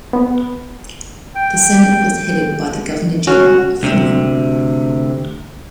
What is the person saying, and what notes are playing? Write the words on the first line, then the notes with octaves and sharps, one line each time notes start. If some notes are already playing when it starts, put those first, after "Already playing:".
The Senate was headed by the Governor-General of Finland.
B3
G5
C#4 F#4
D2 C3